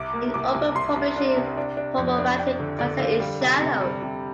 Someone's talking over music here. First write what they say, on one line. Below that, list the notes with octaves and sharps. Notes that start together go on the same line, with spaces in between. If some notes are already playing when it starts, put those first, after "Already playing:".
In open publishing problematic content is shallow.
Already playing: C2 D6
A#3
C2 D6
C2
C2 C6
C2
D4
C3
D4
D4
F2
D4
D4 G5
D3
D3 D5
D3 F5
G3 F5
C3
C3
G3
C3